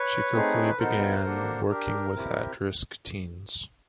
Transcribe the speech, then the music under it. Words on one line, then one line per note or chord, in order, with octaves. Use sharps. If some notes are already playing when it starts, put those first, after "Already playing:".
She quickly began working with at risk teens.
Already playing: B4 C#5
A3 C4 D#4 G#4
B4
B3 D#4 F#4 A4 A#4 C5
A#3 D4 F#4 A4
D4 G4 A#4
C4 E4 G4